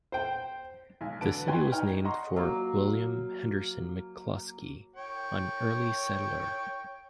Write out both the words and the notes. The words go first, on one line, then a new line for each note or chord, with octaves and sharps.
The city was named for William Henderson McClusky, an early settler.
C5 G5
B1 G#3 G#5
D3 F#3 B4 A5 D7
F#4 B4 C#5 G5 G#5 C6
D#4 C#5 D#5 G5 F6
D#5 F#5 A#5 C6 C#6
F#3 A#3 F5
C#5 G5